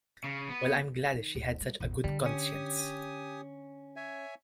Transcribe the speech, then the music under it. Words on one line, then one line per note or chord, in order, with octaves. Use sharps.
Well, I'm glad she had such a good conscience.
C#3
B3
D#3
D1
G3
A1 E2
D3 G3 D4
C#4 G4 G#5 D#6
C#5 E5 G#5